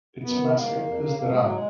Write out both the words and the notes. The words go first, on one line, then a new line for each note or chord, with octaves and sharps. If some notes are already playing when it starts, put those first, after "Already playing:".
Its mascot is the ram.
F#2 B3
D#3
G#2 A#3
D#3
F2
C#3
F2 A#3
C#3 G#3
F#3
G#3